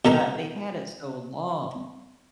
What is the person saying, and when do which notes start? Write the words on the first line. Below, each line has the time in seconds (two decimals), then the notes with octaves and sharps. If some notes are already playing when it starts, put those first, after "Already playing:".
but they've had it so long.
0.05 B2 A4 A#4 A#5